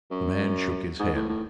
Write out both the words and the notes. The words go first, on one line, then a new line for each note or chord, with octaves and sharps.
The man shook his head.
F#2
G#2
A2
A2